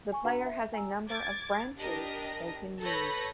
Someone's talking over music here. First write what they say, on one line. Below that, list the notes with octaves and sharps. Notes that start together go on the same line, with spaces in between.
The player has a number of "Branches" they can use.
G#5 C#6
D4 F#4 B4 F#5 A#5
E5
G#5 A#5 E6
D6 G#6 A6
D4 G4 A#4 D#5 A#6
A4 B4 C#5 B5 G6 A#6